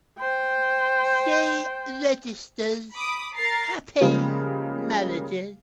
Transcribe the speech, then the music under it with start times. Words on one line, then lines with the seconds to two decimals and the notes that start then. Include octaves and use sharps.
She registers happy marriages.
0.20 C5 G5
2.93 B5 D6 D#6
3.36 A#4 A#5 A6 C7
4.01 C#3 F3 G3 G#3 A#3